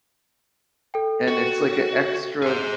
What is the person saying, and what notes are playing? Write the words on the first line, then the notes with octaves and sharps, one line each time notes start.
and it's like a extra-
A4 G5
F#4
G#4 C5